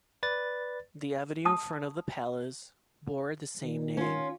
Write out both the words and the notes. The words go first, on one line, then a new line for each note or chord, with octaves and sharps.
The avenue in front of the palace bore the same name.
B4 D5 A6
A5 D#6
D#3
C#4 F4